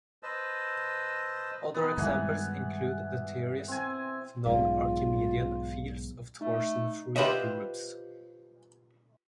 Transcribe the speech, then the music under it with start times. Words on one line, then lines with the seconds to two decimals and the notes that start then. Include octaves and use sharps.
Other examples include the theories of non-archimedean fields and torsion-free groups.
0.23 B4 C5 D#5 A5 E6
1.74 B3 D#4
1.98 G2 D#3 E3 G#3 F#5 G#5
3.68 C4 G#5
4.46 B1 G#2 F4 D5 F5
6.41 A3 D#4
7.16 F4 G4 B4 C5 D#5 E5